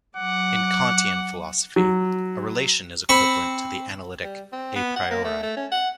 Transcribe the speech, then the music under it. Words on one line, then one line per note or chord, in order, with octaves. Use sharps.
In Kantian philosophy, a relation is equivalent to the analytic "a priori".
F#3 F#5 D6
F#3
C4 B5 C#6
G3
C4
B3
F#5
A#3
A3
A3
C#4
F#5